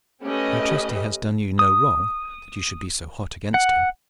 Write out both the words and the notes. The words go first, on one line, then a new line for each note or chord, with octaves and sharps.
"I trust he has done you no wrong, that you should be so hot against him."
A3 C#4 G4 B4 D#5
D#6
F#5